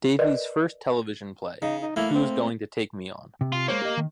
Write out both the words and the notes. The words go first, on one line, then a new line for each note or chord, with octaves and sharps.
Davies' first television play, Who's Going to Take Me On?
A#4 B4 D5 D#5
C#3 D#4
D#4
A2 A#3 E4
C4
C3
F4
G#3 A#3 C5 C#5
G4 D#5
D#3